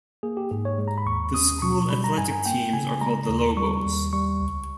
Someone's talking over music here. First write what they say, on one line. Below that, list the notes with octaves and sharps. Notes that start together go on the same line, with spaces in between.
The school athletic teams are called the Lobos.
A#3 G#4
G4
G#2 G#4
C#5
G#3
A#5
B5
D#2 C#6
C#4 D#6
B2 C#6
G3 B5
A#5
G2 G#5
G#5
A#3 G5
C#3 G#5
G#3 A#5
D#2
G3 C#6
D#2
G3 C#6
C#2